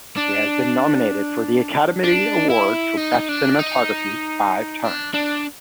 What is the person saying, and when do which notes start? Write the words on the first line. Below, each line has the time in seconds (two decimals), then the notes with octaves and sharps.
He has been nominated for the Academy Award for Best Cinematography five times.
0.17 D4
2.04 D4
2.50 E4
2.97 D#4
3.29 D4
3.59 D#4
4.84 D4
5.14 D4